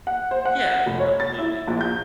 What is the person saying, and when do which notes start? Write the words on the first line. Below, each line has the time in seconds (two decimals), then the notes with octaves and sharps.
Yeah, absolutely.
0.07 F#5
0.31 C5
0.45 F#5
0.86 F1
1.00 C#5
1.20 A6
1.39 E4
1.67 A#1
1.81 G6